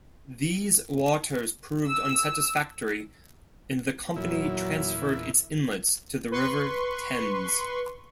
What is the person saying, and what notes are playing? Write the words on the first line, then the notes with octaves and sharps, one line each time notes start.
These waters proved unsatisfactory and the company transferred its inlets to the River Thames.
E6
E2 A#2 F#3 E4
B4 C6 C#6